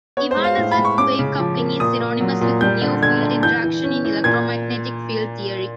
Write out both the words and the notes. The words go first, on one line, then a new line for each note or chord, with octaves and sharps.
Evanescent-wave coupling is synonymous with near field interaction in electromagnetic field theory.
B3 C#5
C5
G#3
F5
A2
B5
G#3
C#6
C#4 D6
C#3
F3
A#3
A#2 D#6
A#3
F#3
A#2
G3 G6
D3
D3 G#6
D3
E3 G6
E3
C#4
E3
A#2 G#6